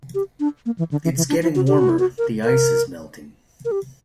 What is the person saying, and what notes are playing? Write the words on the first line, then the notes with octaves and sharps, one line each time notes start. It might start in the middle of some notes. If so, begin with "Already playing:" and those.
It's getting warmer; the ice is melting.
G4
D4
A#3
E3
D3
E3
E3
D4
E4
F#4
G4
F#4
E4
F#4
A#4
A#4
A#4
G4